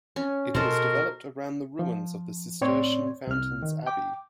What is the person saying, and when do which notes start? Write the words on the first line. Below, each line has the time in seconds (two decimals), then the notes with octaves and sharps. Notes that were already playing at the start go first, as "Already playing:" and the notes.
It was developed around the ruins of the Cistercian Fountains Abbey.
0.16 C#4
0.55 B2 G#3 B3 F#4 A4 A#4 C5
1.79 F3
2.61 A2 C4 C#5 D5 C6 G#6
3.27 C2 F6
3.62 D#3
3.87 G5 D6